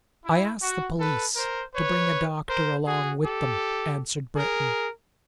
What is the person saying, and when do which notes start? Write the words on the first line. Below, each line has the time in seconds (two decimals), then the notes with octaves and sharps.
"I asked the police to bring a doctor along with them," answered Breton.
0.25 E4
0.62 F#4
0.99 A4 B4
1.36 A#4 C5
1.74 B4 C#5
2.49 A#4 C5
2.86 F#4 G#4
3.24 G4 A4
4.36 G#4 A#4